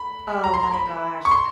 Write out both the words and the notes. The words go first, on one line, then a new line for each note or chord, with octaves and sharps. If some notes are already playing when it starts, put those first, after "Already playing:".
Oh my gosh.
Already playing: B5
A#5
C6
A#5
B5
C#6
C6